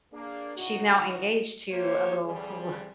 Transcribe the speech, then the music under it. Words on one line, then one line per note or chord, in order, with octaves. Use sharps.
she's now engaged to a little a li
A#3 D4 G#4
C#2 A2 C#3 D#4 F#4
A3 A#3 G4 C5 C#5
C2 F2 G3 G#4